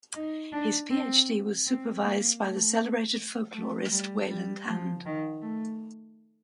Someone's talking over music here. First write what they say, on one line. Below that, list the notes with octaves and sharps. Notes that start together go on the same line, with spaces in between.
His PhD was supervised by the celebrated folklorist Wayland Hand.
D#4
D4
C4
C4
A#3
A3
A3
G3
G3
F3
D#3
A3